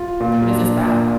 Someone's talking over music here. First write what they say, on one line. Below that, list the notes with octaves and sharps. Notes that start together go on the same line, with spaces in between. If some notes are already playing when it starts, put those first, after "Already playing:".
what is this about?
Already playing: F4
A#2
D4
A#2